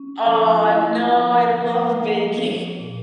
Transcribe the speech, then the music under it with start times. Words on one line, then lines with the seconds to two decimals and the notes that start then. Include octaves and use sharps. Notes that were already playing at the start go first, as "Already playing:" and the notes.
Aw, no, I love baking.
Already playing: C#4
0.26 F3 A4
0.55 F4
0.69 E4
1.11 F3 A#3
1.53 F3
1.95 F3
2.37 F3
2.80 A#2